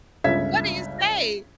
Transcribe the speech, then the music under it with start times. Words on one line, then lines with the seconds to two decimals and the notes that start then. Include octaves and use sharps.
what do you say?
0.24 G1 C#2 E5 G#6 B6